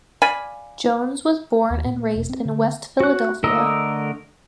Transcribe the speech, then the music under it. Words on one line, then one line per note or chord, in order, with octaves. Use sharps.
Jones was born and raised in West Philadelphia.
D5 F5 G#5 B5
D#2
A#2
E1
C4
D3
F#4 F#6
D3 A3 A#4 D#5 E6